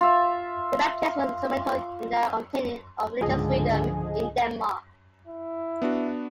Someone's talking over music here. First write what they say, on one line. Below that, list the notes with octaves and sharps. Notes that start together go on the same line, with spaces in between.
The Baptists were instrumental in the obtaining of religious freedom in Denmark.
F4 E5
C#2 G#2 D3 F3 G#4 D#5
E4
B3 D4 F#4